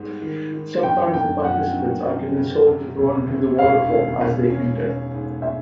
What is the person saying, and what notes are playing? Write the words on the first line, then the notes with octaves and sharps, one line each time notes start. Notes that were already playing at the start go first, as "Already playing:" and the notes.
Sometimes the participants are given salt to throw into the waterfall as they enter.
Already playing: G#2 G3 B3
D#3
D#3
F#2 G5
F#2 G5
F3 F#5
F#2
F#2
C#3
C3
E1
D2
E1 F5
D#3
E1
C#4
C#4
G#2
E5